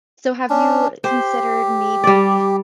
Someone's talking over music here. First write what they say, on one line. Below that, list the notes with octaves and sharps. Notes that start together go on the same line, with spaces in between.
so, have you considered, maybe,
C#4 D4
G4 C5
G3 D5